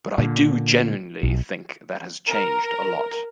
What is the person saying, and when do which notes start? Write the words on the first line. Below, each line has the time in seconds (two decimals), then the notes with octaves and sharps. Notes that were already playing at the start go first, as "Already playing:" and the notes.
But I do genuinely think that has changed, a lot.
0.18 A#2 D3
1.23 B1
2.29 A#4